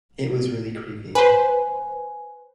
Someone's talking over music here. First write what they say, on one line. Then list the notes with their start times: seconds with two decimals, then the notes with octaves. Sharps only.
It was really creepy.
1.15 B4 C5 G#5